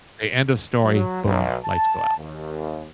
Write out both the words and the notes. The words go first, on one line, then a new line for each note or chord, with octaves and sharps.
Say, end of story, boom, lights go out.
F#3
B1
A5
D#2